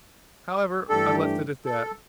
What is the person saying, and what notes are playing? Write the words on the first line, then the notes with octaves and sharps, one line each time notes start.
However, I left it at that.
G2 E3 A3 D4 G4 A4
A4